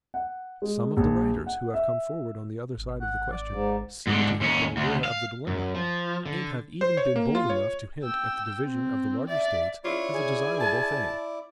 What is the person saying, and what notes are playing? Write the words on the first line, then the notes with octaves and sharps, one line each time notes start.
Some of the writers who have come forward on the other side of the question seem to have been aware of the dilemma; and have even been bold enough to hint at the division of the larger States as a desirable thing.
F#5
G#3
A#1
F#5
E5
G#1
F#5
D5
G#2
G#2 D3
D#2 C#4
D2
F5
F#2
F3
D3
C5
C#5
A#3
F4
C#5
G5 E6
C4
D5 E5
E4 F4 C#5 D5
G#4 G#5
A5